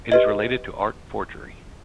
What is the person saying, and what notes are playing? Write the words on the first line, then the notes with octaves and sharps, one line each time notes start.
It is related to art forgery.
G4 B4 D#5